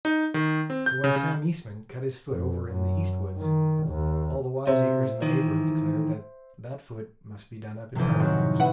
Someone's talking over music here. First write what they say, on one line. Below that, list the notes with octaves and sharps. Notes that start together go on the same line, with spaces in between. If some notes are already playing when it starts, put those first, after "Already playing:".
So when Sam Eastman cut his foot over in the "east woods," all the wiseacres in the neighborhood declared that that foot must be done up in powder-post.
D#4
D#3
C4
G6
C#3
C#3
F2
F#2
D#3
D#2
C3 C5 E5
D#3 E3
F1 C3 E3 F#3
A2 D#3
F#2 C4 F#4
B4 E5 F#5 B5